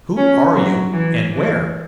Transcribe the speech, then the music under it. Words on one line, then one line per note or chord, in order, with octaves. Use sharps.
"Who are you--and where?"
C#4
F#3
E3
E3